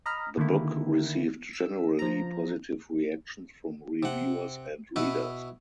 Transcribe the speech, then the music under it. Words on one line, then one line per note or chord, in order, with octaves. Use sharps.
The book received generally positive reactions from reviewers and readers.
D#5 A#5 B5 F6
D3 D#3 A#3 E4
E6
F3 A#5
C3 F#5
B2 E4 B4